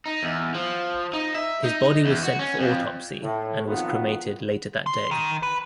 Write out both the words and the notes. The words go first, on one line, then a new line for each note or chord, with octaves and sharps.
His body was sent for autopsy and was cremated later that day.
D#4
E2
F3
D#4
E5
D#4
E2
F#4
C#4
F2
A2
B1 F2 D#3 B3 F4 F#4
C6
D#3
B4